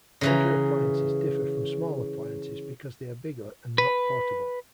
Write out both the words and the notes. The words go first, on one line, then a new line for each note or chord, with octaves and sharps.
Major appliances differ from small appliances because they are bigger and not portable.
C#3 E3 A#5
B4